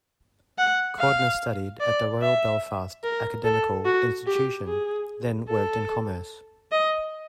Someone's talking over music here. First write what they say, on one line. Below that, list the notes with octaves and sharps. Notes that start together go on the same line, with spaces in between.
Cordner studied at the Royal Belfast Academical Institution, then worked in commerce.
F#5
F5
D5
E5
A#4
A4
F#4
G4
G#4
A4
D#5